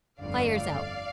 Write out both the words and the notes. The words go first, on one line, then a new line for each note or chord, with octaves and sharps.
Fire's out!
G1 F2 D3 A3 D5 F5